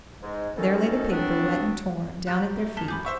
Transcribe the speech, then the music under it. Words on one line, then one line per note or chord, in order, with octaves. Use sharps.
There lay the paper wet and torn, down at their feet.
G#2 G#3
F#2 B2 D#3 C#4 A4
F#2 F#3 B3 C4 D4
F#3 G3 G4 F#6 A6
A3
F#2 A5 B6 G7
G#4 B5 D6 G6
C5 E5 F#5 C#6